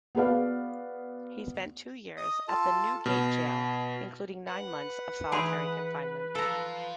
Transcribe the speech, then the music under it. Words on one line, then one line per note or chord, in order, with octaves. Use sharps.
He spent two years at the Newgate Jail, including nine months of solitary confinement.
B3 F#4 G#4 B4 D5 F5
D#5 D#6
F4 A4 A5
B2
B4 F#5
E3 D#4 G#4 G#5 B5 C6
F3 A4 A#5